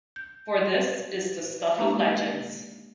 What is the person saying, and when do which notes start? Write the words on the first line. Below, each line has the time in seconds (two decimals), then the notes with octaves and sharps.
For this is the stuff of legends.
0.16 G6
1.78 G#3 A#3 D4 E4 G4